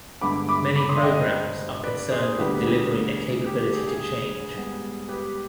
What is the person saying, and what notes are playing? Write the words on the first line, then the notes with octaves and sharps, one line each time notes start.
Many programs are concerned with delivering a capability to change.
G2 D3 G#3 B3 B5 D6
B5 D6
B5 D6
C6 D#6
F5
D#5 G5
C5 D#5
B4 D5
G#4 C5
D2 D3 G3 B3 G4 B4
G#4
G4
G#4
G4
G#4
G#2 G3 B3
G4 B4